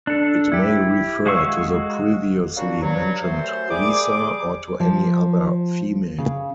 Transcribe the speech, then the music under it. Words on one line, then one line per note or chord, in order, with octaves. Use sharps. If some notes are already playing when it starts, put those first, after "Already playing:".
It may refer to the previously mentioned "Lisa" or to any other female.
D4 A4
E4 G4
G#3 F#4 F5 C#6 E6
F#3 G3 A#3 D4 F#4
G2 F#3
F#2 A3 C5
G3 G#4 D6
F3
C#3